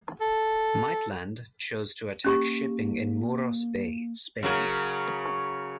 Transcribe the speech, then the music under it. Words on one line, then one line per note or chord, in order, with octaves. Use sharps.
Maitland, chose to attack shipping in Muros Bay, Spain.
A4
A#3 C#4 G4 C#6
C#3 F#3 A#4